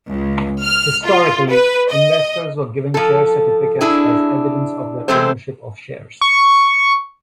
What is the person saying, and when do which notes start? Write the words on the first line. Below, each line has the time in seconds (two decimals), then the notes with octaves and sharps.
Historically, investors were given share certificates as evidence of their ownership of shares.
0.12 C#2
0.62 F6
1.06 F4
1.48 B4
1.90 D#5
2.94 F3 A4
3.81 D4 E4 G#4
5.08 E3 G#3 A3 C4 A4 C5
6.21 C#6